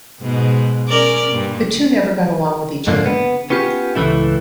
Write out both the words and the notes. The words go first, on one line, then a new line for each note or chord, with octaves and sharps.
The two never got along with each other.
G#2 B2
C#4 A#4 D5
G2 A#2
F2 G#2 D3 F3 A#3
B3
B3 C#4 F4 G4
C#2 A2 D#3 E3 A3 E4